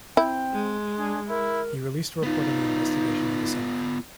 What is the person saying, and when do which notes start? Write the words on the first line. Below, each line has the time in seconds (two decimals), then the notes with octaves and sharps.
He released a report on the investigation in December.
0.17 C4 E4 G5
0.52 G#3
0.97 D4 G#4
1.29 E4 A#4
2.23 B3 D#4 F4